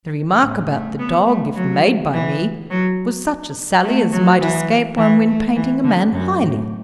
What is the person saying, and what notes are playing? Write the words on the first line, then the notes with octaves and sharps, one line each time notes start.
The remark about the dog, if made by me, was such a sally as might escape one when painting a man highly.'
A2
A3
B3
A3
F#3
E3
F#3
A3
F#3
E3
E3
A3
E3
D3
F#2
A2